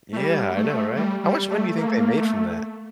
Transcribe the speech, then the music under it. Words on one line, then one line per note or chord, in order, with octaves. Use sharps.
Yeah I know, right? How much money do you think they made from that?
A3
G3
A3
G3
G3
A3
A#3
A3
A#3
A3